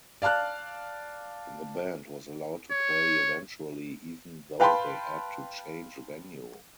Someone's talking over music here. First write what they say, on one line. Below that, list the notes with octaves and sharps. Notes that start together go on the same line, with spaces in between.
The band was allowed to play eventually even though they had to change venue.
D5 F5 A5 F6 F#6
C#5
B4 F5 G5 A5 B5 C6